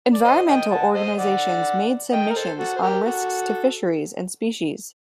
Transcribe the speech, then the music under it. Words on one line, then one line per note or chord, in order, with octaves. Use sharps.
Environmental organizations made submissions on risks to fisheries and species.
D5
C5 D#5
D#5 G5
F#5 A5
C5 D#5
D5 F#5
D#5 G5
A#4
A4 C5
F#4 A4
C5
G4 A#4
F#4 A4